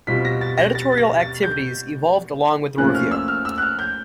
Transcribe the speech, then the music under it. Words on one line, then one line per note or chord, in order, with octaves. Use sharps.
Editorial activities evolved along with the review.
B2 G3 C4 F4 B6
A#6
A6
A#6
A6
A6
A#6
A6
G6
A2 F3 A#3 C#4 F4 F#6
F6
E6
F6
E6
F#6
F6
G6